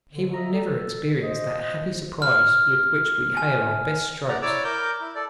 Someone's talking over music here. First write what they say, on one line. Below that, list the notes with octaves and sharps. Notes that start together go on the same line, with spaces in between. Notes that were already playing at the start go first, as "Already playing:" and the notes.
He will never experience that happy surprise with which we hail our best strokes.
B2 D3
D#5 E5 A#5
A4
C5 D#5
F6
G#5
D5 F#5 A#5
E4 C#5 D5 D6 E6
A#4 D6 G6
E4
A4 D5